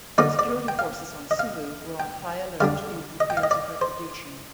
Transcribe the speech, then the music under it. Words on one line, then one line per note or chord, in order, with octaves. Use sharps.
Security forces on Sulu were on high alert due to fears of retribution.
D3 F3 A#3 D#4 D5
D5
G5
F5
D#5
F5
G5
D3 G3 D4 F5
D#5
G5
F5
D#5
D5
C5